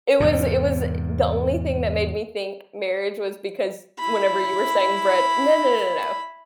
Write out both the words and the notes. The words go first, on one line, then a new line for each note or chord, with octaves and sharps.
it was it was the only thing that made me think marriage was because whenever you were saying bread no, no, no, no,
E2 G#2 C3
E4 B5